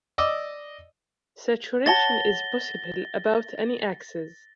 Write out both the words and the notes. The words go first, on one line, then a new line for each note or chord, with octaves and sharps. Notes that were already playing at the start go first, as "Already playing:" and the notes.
Saturation is possible about any axis.
D5 D#5 D6 E6
C#5 F#5 A5 A6 A#6 G7